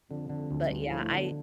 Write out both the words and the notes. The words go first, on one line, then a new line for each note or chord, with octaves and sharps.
Mm, but yeah, I
F2 D3
D3
D2
F2
D2 G2
A2 F3
A2
B2 D3